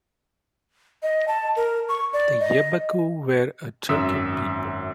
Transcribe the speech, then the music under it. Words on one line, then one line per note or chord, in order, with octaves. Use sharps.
The Yabaqu were a Turkic people.
D#5
A5
A#4
C#6
D5
D#5
G#1 F#2 E5 D#6 E6 B6